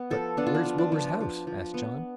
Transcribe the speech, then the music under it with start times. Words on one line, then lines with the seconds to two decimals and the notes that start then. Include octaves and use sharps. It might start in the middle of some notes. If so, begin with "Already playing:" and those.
"But where's Wilbur's house?" asked John.
Already playing: B3
0.10 F3 A4
0.37 B3 D4
0.47 F4
0.55 D4
0.65 F3
0.78 D4
0.92 F3
1.20 F3
1.47 F3
1.74 B3